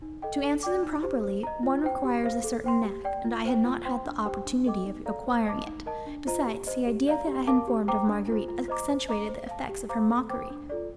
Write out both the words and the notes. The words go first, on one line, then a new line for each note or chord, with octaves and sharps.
To answer them properly, one requires a certain knack, and I had not had the opportunity of acquiring it; besides, the idea that I had formed of Marguerite accentuated the effects of her mockery.
D#4
A4 D#5 G5
A4
D5 G5 D6
D#4
G4 C5
C5
D#5 A#5
F4
C5 G5
G4
C5 F5
A4
C5 G5 C6
G4
D5 G5
F4
C5 G5
F4
C5 G5 C6
D4
G4 C5 G5
D4
A4 D#5 G5 D6
D#4
A4 D5 F5 A#5
C5
D#5 A5 D6
D#4
A#4 D#5 A5
D4
F4 C5 D#5 A#5
G4
C5 D#5
G4
D5 F5 A#5
G4
A#4 F5 A5 D6
G4
C5 G5 A#5 D6
D4
F4 C5
F4
C5 D#5 A#5 D6
C5
D#5 A#5 D6
C5
F5 A5
G4
C5 F5 A#5 D6
A4
C5 G5 D6
D4
F4 A4 D5